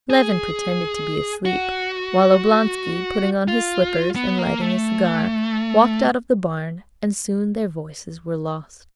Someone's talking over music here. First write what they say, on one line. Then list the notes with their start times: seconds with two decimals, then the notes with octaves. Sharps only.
Levin pretended to be asleep, while Oblonsky, putting on his slippers, and lighting a cigar, walked out of the barn, and soon their voices were lost.
0.10 G#4
1.45 F#4
3.48 F4
4.16 B3
4.38 A#3
4.61 A3